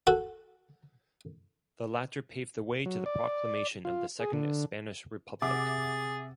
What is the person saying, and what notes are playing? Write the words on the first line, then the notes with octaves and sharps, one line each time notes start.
The latter paved the way to the proclamation of the Second Spanish Republic.
F#4 A4
F#3
D5
F4
G#4
D3
C3 G#4 E5 F#5 D6 A6